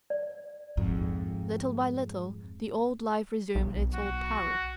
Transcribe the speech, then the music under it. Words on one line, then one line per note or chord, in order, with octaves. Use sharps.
Little by little the old life resumed its old power.
D5
F2 G#2
B1
F#4